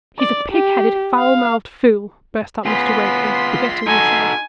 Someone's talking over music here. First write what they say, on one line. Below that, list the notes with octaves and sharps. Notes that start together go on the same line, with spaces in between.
"He's a pig-headed, foul-mouthed fool!" burst out Mr. Wakem, forgetting himself.
D5
G4
F5
B3 F4 G#4 C6 B6
D#4 F#4 A4 G#5